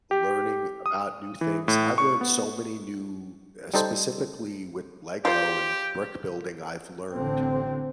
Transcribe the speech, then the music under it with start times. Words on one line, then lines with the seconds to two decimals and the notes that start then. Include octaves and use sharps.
learning about new things. I've learned so many new eh, specifically with Lego and brick building, I've learned
0.11 G4
0.86 D#6
1.41 E3
1.68 A2
1.98 C#6
2.21 B3
3.74 G3 D#4 A4 C5
5.25 F4 G4 C5
7.13 A1 D3 C4